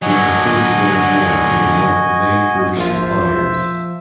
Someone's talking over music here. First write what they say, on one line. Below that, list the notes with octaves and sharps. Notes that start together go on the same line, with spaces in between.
During the First World War they were one of the main British suppliers.
D3 F#3 F#4 D#5 G#5
A#1 F3 F4 C5 E5